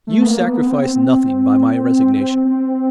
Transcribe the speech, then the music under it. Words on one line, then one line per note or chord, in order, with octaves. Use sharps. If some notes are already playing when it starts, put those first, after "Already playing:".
You sacrifice nothing by my resignation.
A3
B3
A#3
B3
B3
C4
C4
C4